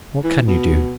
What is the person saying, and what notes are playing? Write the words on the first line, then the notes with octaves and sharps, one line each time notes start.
"What can you do?"
E3
B2